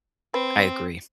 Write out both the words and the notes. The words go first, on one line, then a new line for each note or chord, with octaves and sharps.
I agree.
C4 B4